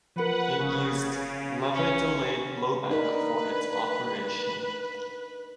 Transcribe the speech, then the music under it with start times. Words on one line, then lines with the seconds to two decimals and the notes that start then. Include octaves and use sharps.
It used lever-delayed blowback for its operation.
0.16 F3 A#4 B4 F#5
0.59 F1 C#3
1.74 A1 C#4
2.90 D4 D#4 A#4 B4